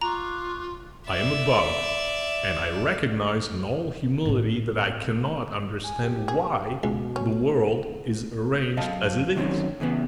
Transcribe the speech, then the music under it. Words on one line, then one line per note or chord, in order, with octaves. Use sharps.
I am a bug, and I recognize in all humility that I cannot understand why the world is arranged as it is.
F4 A#5 C#6 D6 F#6
D5 E5
A2 C4
G#5
G4
G#4
C#2 B2
C#4
F#2 D#5 F5 A5
D3 D#3 F#3 G#3 C4 C#4
E2 C#3 E3 B3